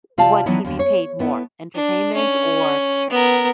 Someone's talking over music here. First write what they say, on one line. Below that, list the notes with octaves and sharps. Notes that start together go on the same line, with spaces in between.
what should be paid more, entertainment or,
C3 F4 D5 F5 A5
D#3 E3 F#3 B3 D#4 E4
D#2 D3
C#5
A3 B3 E4
D4
C#4
B3 A#4